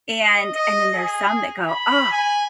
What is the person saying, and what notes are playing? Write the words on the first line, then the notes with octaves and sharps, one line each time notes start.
and and then there's some that go, "Oh,
D#5
D#5
G#4
B5
G#5